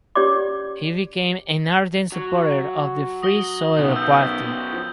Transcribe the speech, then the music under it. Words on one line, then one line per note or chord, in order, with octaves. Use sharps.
He became an ardent supporter of the Free Soil Party.
C#4 G4 C#5 D5 D6
F#3
D#6 A#6 G7
B1 F#2 B3
E6 G6
F3